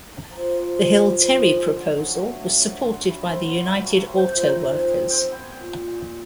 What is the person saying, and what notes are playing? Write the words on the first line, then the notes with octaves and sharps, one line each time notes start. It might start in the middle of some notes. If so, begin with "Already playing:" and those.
The Hill-Terry proposal was supported by the United Auto Workers.
A5
F3 A#5
F3
F3
F3
F3
F3
G#3
D3
F#3
A3
A3
F#3
D3 C6
A3
B5
C4
C6
F#3
A3 B5
A3
C4
F3
C4 A#5
F3 A5
G5
D#4 G#5
C4 G5
B3 G5
G#5
A#2 G5
A#2
A#2